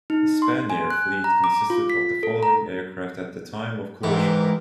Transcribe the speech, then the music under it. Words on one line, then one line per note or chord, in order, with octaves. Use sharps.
The Spanair fleet consisted of the following aircraft at the time of closure.
D#4
C6
G#5
F#6
A#5
D6
F4
B6
A4
A#5
G#2 E3 G4 A#4